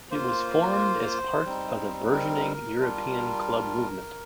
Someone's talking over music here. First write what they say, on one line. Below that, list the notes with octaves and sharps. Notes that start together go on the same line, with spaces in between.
It was formed as part of the burgeoning European club movement.
A#3 F4 C5
G3 C4 D#4
A#4
G3 D4 F4